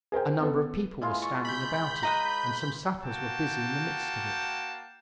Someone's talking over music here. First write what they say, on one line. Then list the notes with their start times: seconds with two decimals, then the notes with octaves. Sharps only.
A number of people were standing about it, and some sappers were busy in the midst of it.
0.12 G#4 A#4 C5 G5
0.41 B3 A4 B4
1.02 E3 G#3 F4
1.22 C#6
1.45 B5 G6
2.03 B4 D#5 A#5
3.01 A#3 F#4 G5 A5